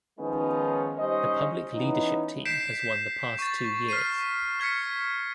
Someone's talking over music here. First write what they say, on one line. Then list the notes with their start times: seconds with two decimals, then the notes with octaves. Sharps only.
The Public Leadership team has won the past two years.
0.19 D#3 F3 G#3 B3 C#4 D#4
0.98 G3 C#4 D#4 C5 D#5
1.74 E3 B3 C#4 D#4
2.45 G6 B6 C7 D7 E7
3.39 C#6 A6
3.89 F6 B6 C7 D#7
4.60 F6 G#6 B6 C#7